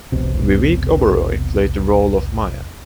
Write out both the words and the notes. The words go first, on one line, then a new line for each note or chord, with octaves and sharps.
Vivek Oberoi played the role of Maya.
E1 B1 C3